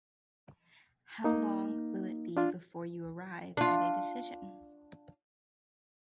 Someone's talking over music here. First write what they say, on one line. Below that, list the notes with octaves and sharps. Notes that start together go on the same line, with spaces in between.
How long will it be before you arrive at a decision?
A#3 D#4
D4 F4
D4 F4